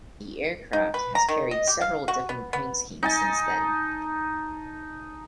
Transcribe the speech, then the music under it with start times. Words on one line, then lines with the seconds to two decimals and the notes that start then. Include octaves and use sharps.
The aircraft has carried several different paint schemes since then.
0.73 D#4
0.94 B4
1.15 A#5
1.28 D#3
1.51 D#5
1.67 G4
1.81 F5
2.08 F#4
2.29 B3
2.53 B3
3.03 D#4 G#5 A5